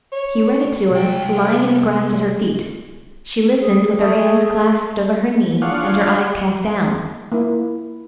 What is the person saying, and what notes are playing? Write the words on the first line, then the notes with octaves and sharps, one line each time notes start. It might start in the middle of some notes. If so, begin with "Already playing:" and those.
He read it to her, lying in the grass at her feet; she listened with her hands clasped over her knee and her eyes cast down.
C#5
C2 G5
G#4
A3 G#4
D4 F4 G#4 C#5 F5 F#5
A#3 E4